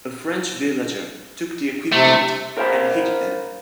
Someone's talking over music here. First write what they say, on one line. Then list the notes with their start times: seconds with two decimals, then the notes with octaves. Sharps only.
A French villager took the equipment and hid them.
1.93 C3 A3
2.57 A#4 C5 F5 F#5 B5